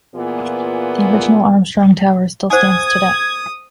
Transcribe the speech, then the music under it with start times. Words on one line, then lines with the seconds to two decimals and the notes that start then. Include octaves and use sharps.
The original Armstrong tower still stands today.
0.16 A#2 E3 B3 F4 G#4
2.50 C5 F#5 G#5 D#6 G#6